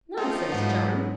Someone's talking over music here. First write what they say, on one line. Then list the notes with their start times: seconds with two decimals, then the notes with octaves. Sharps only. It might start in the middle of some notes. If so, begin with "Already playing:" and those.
'Nonsense, John.
0.17 F3 A3 C4 D#4
0.52 G#2 F#3 B3